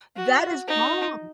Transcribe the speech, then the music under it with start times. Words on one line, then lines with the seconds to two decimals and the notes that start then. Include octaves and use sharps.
that is wrong.
0.16 F#4
0.68 D#4